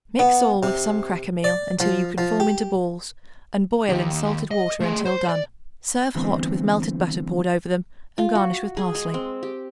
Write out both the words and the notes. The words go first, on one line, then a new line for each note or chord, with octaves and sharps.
Mix all with some cracker-meal until you can form into balls and boil in salted water until done. Serve hot with melted butter poured over them, and garnish with parsley.
B3
C3
D5
F3
F3
G4
D#3 G4
D#5
A3 G#4
C5 C6
D5
D3 E3 G3 A3 B3 C4
F4
F#4
G#4
G#3
C4
G4